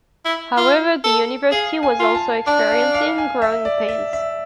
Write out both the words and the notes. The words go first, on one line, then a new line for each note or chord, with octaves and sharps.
However, the university was also experiencing growing pains.
E4
F4
A4
G#4 F5
G#5
F4
A5
D4 A5
F5
F5
G#5
E5
D5
E5
E5